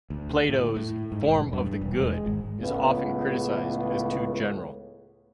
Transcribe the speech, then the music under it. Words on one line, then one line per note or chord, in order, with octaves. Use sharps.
Plato's Form of the Good is often criticized as too general.
D2
A2
A2
G#2
E1
G2
E1
G#3
G#1
C#2 A2 C#3 B3